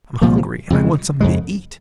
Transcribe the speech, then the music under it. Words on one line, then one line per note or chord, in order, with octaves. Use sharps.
"I'm hungry, and I want something to eat!"
C2 A#2 F3 A#3
F2 C#3 G#3
F2 C#3 G#3